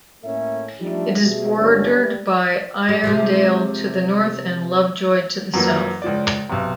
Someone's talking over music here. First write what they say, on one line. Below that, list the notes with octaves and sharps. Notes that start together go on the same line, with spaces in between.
It is bordered by Irondale to the north and Lovejoy to the south.
A2 A#3 C#4 A4 E5
F3 G3 A3 D4 D#4
B2 G3 A3 G#4
G1 A#2 C#4 D4 A4
G3
G3
C3 F3 G#3
F#2 E3 F3 A#3
C#2 F3 D5
B1 C3